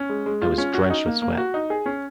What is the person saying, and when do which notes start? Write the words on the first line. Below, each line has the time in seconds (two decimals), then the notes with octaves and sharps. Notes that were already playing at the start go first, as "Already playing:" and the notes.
I was drenched with sweat.
Already playing: C#4
0.09 G#3
0.26 G#3
0.42 F4
0.58 C#4
0.74 F#4
0.90 D#4
1.06 A#3
1.22 A#3
1.38 F#4
1.54 D#4
1.70 G#4
1.86 C#4